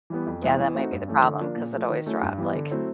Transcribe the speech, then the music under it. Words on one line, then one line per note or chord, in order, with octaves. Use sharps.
Yeah, that might be the problem, 'cause it always dropped, like
E3 G3 B3
F2
C3 E3 G#3 B3
E3
A3 C4 D#4 F#4
G2
E3 A3 C#4
D3
F3 A#3 D4
A#2
F3 A3
D#3
F#3 A3 C#4 E4
G2
E3 G3 B3
D3
F#3 A3 C4 E4